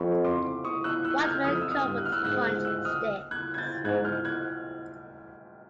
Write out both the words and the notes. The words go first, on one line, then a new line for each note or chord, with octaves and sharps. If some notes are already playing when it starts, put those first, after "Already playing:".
White men come with hunt sticks.
Already playing: F2 B5 C#6
C6 D6
C#6 D#6
E6 F#6
E6 F#6
G#6
F6 G6
F2 D#6 F6
E6
D#6 F6
G2
F#6
F6
E6 F#6
G#2 E6 F#6
E6 F#6
E6 F#6
D#6 F6
F#6 G#6
G#6
G6 A6
G#2 F#6 G#6
F6 G6
F#6 G#6